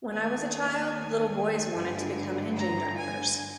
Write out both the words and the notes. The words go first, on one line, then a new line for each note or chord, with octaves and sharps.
When I was a child, little boys wanted to become engine drivers.
D#2 D#3 G#5
G2 D3
A#5
G#5